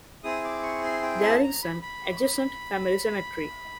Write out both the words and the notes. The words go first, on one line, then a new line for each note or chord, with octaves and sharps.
There is an adjacent family cemetery.
C4 E4 G#4 D#6
D6
C#6
C6
G5
A5
A#5
B5
B5